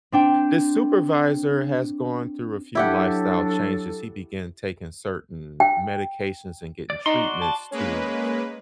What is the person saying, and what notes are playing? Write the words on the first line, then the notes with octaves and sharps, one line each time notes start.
This supervisor has gone through a few lifestyle changes. He began taking certain medications and getting treatments to
C4 D4 G5
F#3 D4 E4 G4 A4 F#5
G5
D5
D#4 F#4 D5 C6
A5
G#3 A#3 C#4 B4